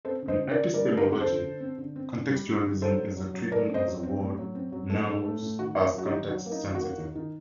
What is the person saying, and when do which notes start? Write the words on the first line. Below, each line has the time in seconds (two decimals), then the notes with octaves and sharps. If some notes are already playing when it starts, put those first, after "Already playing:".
In epistemology, contextualism is the treatment of the word 'knows' as context-sensitive.
0.05 C4 A4 C5
0.22 D3
0.28 C5 D#5
0.39 D3
0.51 A#4 D5
0.57 D3
0.74 G3 A#4 D5
0.92 D3
0.97 G4 A#4
1.09 C4
1.21 A4 C5
1.26 D3
1.43 D3
1.60 C4
1.78 D3
1.96 C4
2.13 D3
2.30 G3
2.47 G3
2.65 D3
2.82 F#3 A4 C5
2.99 F#3
3.17 F#3
3.34 F#3
3.51 A3 A#4 D5
3.69 C4
3.74 C5 D#5
3.86 F#3
4.03 C4
4.21 A2
4.39 F#3
4.55 C4
4.72 F#3
4.90 A3
5.07 A2
5.25 A3
5.42 A2
5.59 D#3 F#4
5.77 A#3
5.94 F#3 F#4
6.05 D#4 G4
6.12 D#3
6.29 F#3 F#4
6.46 A#3
6.52 D#4
6.63 D#3
6.75 F#4
6.81 A#3
6.98 D#3
7.15 D#3